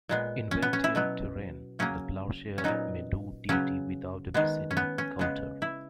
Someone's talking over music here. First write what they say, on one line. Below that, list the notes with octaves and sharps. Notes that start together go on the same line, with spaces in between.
In well-tilled terrain the plowshare may do duty without a preceding coulter.
A#2 G#3 B3
C#4
B3
C#4
E4
B2 F#3 B3
C#3 F#3 A#3 C#4
C#4
A#2 F#3 B3 D#4
C#3 F#3 B3 C#4
D#3 G#3 B3
C#4
B3
C#4
C#3 G#3 B3
E4